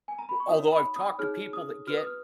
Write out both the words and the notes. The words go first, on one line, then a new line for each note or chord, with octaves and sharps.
although I've talked to people that get
G#5
A#5
B5
C#6
D#4 F#4 C#5 D#6
B5
D#6
D#4 G#4 C#5 F6
D#6
F#4 B4 F6
D#6
F6